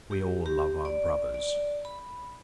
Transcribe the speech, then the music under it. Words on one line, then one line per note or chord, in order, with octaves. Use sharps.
"We all love our brothers."
G4
G4
D5
D5
B5
B5